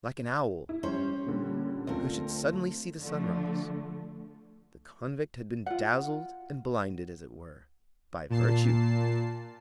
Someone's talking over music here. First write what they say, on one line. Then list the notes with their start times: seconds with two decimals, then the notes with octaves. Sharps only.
Like an owl, who should suddenly see the sun rise, the convict had been dazzled and blinded, as it were, by virtue.
0.69 E4
0.83 G3 C#4 C5 C#5
1.26 A#2 D3 G3
1.87 D2 C4 F4 A4 A#4
3.01 D3 F3 A3
5.66 F4 F#5
8.30 A#2 A5 C7